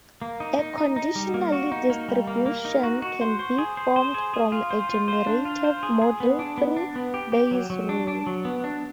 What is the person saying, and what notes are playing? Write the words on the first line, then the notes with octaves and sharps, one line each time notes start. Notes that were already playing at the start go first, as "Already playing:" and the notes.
A conditional distribution can be formed from a generative model through Bayes' rule.
A#3
D#4
D#4
D#4
D#4
G3
A#3
F#4
D#4
A#3
G3
A#3
A#3
D#4
F#4
F#4
C5
C5
G#4
C5
C5
G#4
G#4
F4
C5
F4
C5
D4
F4
C5
G#4
G#4
B3
D4
B3
D4
B3
G4
G4
F#3
F#3
D4
D4
F#3
B3
D4